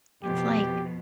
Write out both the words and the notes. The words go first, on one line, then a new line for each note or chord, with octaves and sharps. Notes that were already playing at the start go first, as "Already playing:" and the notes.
it's like
F2 B2 G4